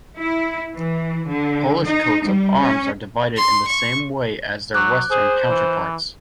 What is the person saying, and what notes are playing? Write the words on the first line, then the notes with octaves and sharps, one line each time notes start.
Polish coats of arms are divided in the same way as their western counterparts.
E4
E3
D3
D#4
G3
C#4
C6
C#6
F#3 D6 F#6
G#4 C5
E3